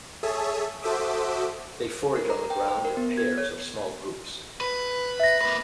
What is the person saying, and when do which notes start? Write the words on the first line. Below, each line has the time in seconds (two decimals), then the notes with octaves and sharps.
They forage on the ground in pairs or small groups.
0.23 G#4 A4 C#5 E5 A5 D#6
0.82 F#4 A4 C5 E5 D6 D#6
2.16 A#4
2.30 A#5
2.50 G5
2.68 C5
2.85 A#4
2.97 B3
3.17 G#6
3.38 C#5
4.61 B4
5.20 E5 A#6
5.41 A#3 B4